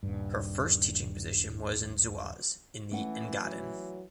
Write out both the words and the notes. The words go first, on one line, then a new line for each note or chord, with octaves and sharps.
Her first teaching position was in Zuoz in the Engadin.
D#1 G2
E3 A3 C#4 F#5
F#3